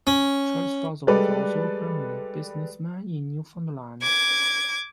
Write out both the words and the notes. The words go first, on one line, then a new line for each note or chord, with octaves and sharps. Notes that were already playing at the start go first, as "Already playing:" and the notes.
Charles' father was also a prominent businessman in Newfoundland.
C#4
G3 G#3 A4 B4 D5
D6 G#6